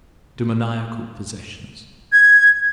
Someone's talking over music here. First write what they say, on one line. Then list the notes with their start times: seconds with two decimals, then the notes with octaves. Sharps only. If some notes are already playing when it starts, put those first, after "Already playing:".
Demoniacal possessions.
2.12 G#6